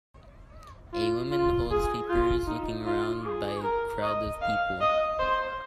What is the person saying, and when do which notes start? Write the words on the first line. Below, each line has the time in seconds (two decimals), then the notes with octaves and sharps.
A woman holds papers looking around by a crowd of people.
0.93 F4
1.31 F4
1.71 G#4
2.10 F4
2.47 D#4
2.86 F4
3.26 G#4
3.64 A#4
4.03 D#5
4.42 F5
4.81 D#5
5.19 C5